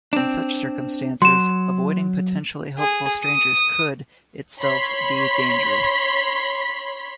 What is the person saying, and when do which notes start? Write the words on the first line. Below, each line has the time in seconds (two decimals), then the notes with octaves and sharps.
In such circumstances, avoiding potentially helpful strangers could, itself, be dangerous.
0.13 C4 D4
1.22 F#3 C6 E7
2.78 G#4
3.24 D#6
4.60 C#5 B5 C6 B6